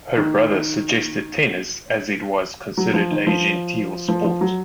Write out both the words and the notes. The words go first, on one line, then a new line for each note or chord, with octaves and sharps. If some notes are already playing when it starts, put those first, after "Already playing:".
Her brother suggested tennis as it was considered a "genteel" sport.
D#3
F#3
F3
D#3
F3
F3
F3
F#3